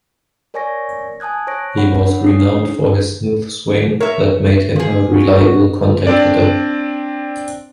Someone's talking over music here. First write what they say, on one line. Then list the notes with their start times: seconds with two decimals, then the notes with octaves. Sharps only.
He was renowned for his smooth swing that made him a reliable "contact" hitter.
0.54 A#4 C#5 D5 G#5 C#6 A#6
1.20 G#5 A5 D#6 F#6 G#6
1.47 C5 C#5 C#6 F#6 A#6 D7
1.78 D4 C#5 F#5 B5
2.24 C#4 D4 G#4 C#5 D#6 C7
4.01 A#4 C#5 E5
4.76 F3 G#4
5.11 F#4
6.07 C4 D4 D5